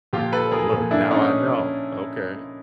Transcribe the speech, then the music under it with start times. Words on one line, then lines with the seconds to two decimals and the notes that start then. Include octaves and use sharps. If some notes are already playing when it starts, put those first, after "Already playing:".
Well, look, now I know. Okay.
0.13 A#2 F3 F4 G4
0.32 A4 B4
0.52 G#4 A#4
0.72 A#2 F3
0.91 D4 E4
1.11 C#4 D#4